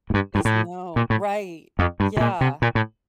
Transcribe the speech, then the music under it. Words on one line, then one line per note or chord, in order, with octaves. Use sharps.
Is no Right. Yeah.
A2
G2
G2
A2
A#2
A2
F2
G2
C3
A#2
C3
A#2
A2